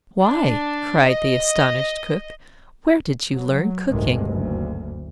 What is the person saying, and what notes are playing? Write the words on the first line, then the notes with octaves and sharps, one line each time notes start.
'Why,' cried the astonished cook, 'where did you learn cooking?
D4
D#5
F#3
A1 D2 G2 C3 D#3 G#3
F#1 D2